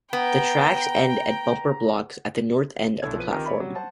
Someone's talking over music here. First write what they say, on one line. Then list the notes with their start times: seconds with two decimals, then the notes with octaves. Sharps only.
The tracks end at bumper blocks at the north end of the platform.
0.13 B3 G5 A#5
3.02 B1 D4 E4 A4 G#6
3.16 F3 B4 D#7
3.32 D#3 C4 F4 G4 A#4
3.46 C#5 D5 E5 B5
3.60 F#3 G3
3.75 C5 F#5 A5